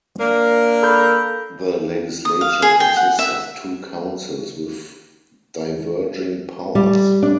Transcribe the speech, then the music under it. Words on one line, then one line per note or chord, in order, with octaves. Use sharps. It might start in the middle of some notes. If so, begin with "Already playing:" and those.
The legislature consists of two councils with diverging powers.
A#3 D4 A#4
A4 B5 G6
D#6
F5
G#4
G5
F#5
E5
G3
D4